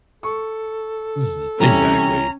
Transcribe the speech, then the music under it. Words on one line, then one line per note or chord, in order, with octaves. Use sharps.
Mhm. Exactly.
A4 C#6
C3 E3 G3 C#4 A#5